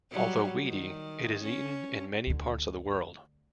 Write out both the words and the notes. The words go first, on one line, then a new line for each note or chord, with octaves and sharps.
Although weedy, it is eaten in many parts of the world.
F#3 G3
D#3
C#4
D2 D3